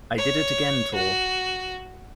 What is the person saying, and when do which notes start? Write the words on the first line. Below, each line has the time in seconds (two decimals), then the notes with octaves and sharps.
I Did It Again Tour.
0.18 C#5
0.94 F#4